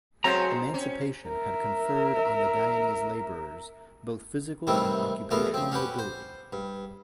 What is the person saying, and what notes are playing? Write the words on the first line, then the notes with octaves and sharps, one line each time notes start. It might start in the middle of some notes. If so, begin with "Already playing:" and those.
Emancipation had conferred on the Guianese laborers both physical and occupational mobility.
F#3 G#3 A3 C4 C5 A#5
C4 C#4
A#4 E5
C3 D#3 E3 G3 A3 C4
B1 E2 A3 B3 F4 A#4
F3 C4
C#4 F#4 G4 B4
C5
G2